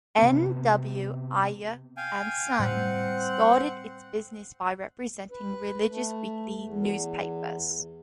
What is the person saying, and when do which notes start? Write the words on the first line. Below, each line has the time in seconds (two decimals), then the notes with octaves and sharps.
N. W. Ayer and Son started its business by representing religious weekly newspapers.
0.18 C3 B3
1.97 F5 G5 G#5
2.59 A2 G3 C4 F#5
5.32 B4
5.90 A3
6.60 E2